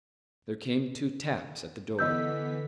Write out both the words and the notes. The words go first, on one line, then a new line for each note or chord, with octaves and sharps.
There came two taps at the door.
D3 E3 B3 D#5 E6 G6 B6